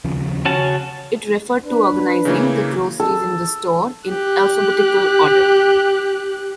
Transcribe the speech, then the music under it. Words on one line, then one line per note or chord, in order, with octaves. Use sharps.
It referred to organizing the groceries in the store in alphabetical order.
D#2 C#3 F3
C#3 C#4 F#4 A5
D4 B4
C#3 E3 A#3
A4
G4 F#6